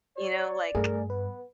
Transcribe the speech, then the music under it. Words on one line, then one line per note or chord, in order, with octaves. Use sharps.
you know, like
C#5 D5
G2 A3 G#4 A#4
B3 B4